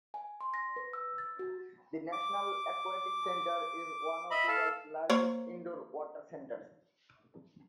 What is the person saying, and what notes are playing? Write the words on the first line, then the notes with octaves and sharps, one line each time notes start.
The National Aquatic Centre is one of the world's largest indoor water centres.
G#5
C6
A#6
B4
E6
A6
F#4
D6
D#5 E5 B5
A4 F5 A5
A#3 C5 C#5